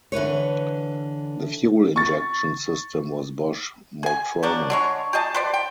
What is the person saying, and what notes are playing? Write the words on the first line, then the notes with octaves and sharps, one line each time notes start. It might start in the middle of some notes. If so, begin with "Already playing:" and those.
The fuel injection system was Bosch Motronic.
D3 E3 B4 C#5
C#6 A6
G#4 G#5
F3 F#3 D4
D3 G#3 C#5
G4 G#4 D#5 A5
B4 C5 D5
G5